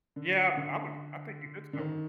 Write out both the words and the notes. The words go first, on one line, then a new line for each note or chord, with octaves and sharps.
Yeah, I would I think you could sell 'em.
D3
D3
D3
D#3